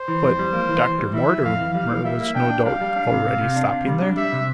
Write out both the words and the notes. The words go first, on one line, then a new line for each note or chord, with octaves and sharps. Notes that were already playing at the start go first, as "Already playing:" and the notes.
"But Dr. Mortimer was no doubt already stopping there?"
Already playing: C5
E3
F2
G3
A#3
E3
E3
G3
E3 E5
E3
F2 F5
E3
G3 F5
E3
G3 E5
A#3
D4 G5
D4
G3 F5
G3
D4
C3
C3
C3
D4
C3
G3
D4
G3 E5
C3